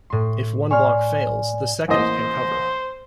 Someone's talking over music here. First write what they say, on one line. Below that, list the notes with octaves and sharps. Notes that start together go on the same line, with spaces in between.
If one block fails, the second can cover.
A2 C6
C#5 D5 G#5 C6 F6
A1 A#3 C5 D#5